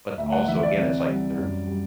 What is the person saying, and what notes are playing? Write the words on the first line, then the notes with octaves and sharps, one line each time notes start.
but also, again, it's like there,
D2 E5
F#5
E3 E5
D5
C3
G3
F#2
G3